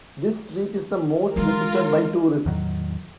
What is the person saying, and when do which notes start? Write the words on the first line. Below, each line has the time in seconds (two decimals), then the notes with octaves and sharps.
This street is the most visited by tourists.
1.36 E3 G#3 F4 A#4
2.46 E2 A2 D#3 F#3